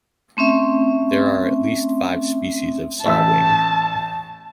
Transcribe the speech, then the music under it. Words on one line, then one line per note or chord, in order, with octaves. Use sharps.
There are at least five species of saw-wing.
A3 C4 C#4 E5 C6
A1 E5 A5 E6